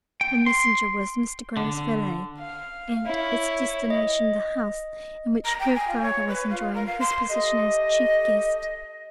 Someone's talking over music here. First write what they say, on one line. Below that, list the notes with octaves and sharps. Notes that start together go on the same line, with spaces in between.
The messenger was Mr. Grey's valet, and its destination the house in which her father was enjoying his position as chief guest.
G5
C6
D3
F5
E4 C#5
D#5
A#5
G5
G#5
F4
C#5
B4
F4
A#4
F5
C6
A3 G4 D#5